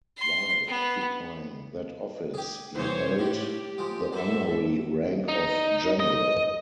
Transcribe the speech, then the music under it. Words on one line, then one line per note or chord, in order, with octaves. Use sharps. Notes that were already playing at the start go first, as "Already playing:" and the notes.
While occupying that office, he held the honorary rank of general.
C6
B3
G4 G#4
C2 E3 C5 C#5
A2 A3 G4
F3 G#3
F#2 A#3 A4 E5
D#4
D#5